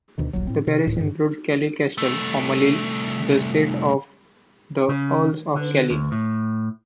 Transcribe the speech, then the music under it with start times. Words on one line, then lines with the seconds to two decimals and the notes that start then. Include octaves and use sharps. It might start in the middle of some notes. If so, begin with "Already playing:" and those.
The parish includes Kellie Castle, formerly the seat of the Earls of Kellie.
0.18 D2 B2 D#3
0.33 D#1 A#1 F#3
0.47 A2 C4
0.67 C3
0.87 D1 A2
0.99 G2 C#3
1.98 C2 A3
4.88 C#3
5.55 D3
5.90 D2
6.12 A2